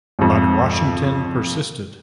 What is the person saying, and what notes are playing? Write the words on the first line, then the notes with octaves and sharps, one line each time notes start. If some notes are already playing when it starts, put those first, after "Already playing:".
But Washington persisted.
G#1 F2